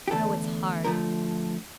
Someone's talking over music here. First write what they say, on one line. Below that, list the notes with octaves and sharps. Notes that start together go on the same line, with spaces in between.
Oh it's hard.
G4
E2 D3 A3 A4
D3 F3 A3 A#4